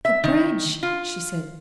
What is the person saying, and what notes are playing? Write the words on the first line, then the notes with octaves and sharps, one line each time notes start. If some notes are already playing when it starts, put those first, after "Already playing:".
"The bridge!" she said.
E5
D#3
F4